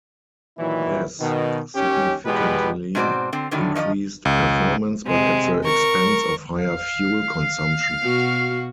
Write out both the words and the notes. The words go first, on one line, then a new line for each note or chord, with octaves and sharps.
This significantly increased performance, but at the expense of higher fuel consumption.
A#2 D#3 E3 F#3 E4
B2 D#3
D#2 C#4 G4
E2 B2 G#3 B3 G4 B4
G#2 B2 C4 F#4 C5 D5
D3 C4
A2 D3 D#3 F#3 G3
D#3 F3 D5 D#5
C#2
C3 G#3
A#4 C#6
F5
B2 F#4